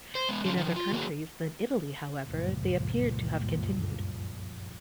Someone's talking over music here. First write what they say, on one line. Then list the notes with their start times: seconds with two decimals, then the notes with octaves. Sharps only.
In other countries than Italy, however, they appear to have continued.
0.15 C5
0.29 G#3 B3
0.45 D3 F3 C#4 F4
0.57 D#3 F3
0.76 F4
0.92 D#3 F#3 A#3 F#4 G#4
2.24 F#1 C#2 G2 A#2 F3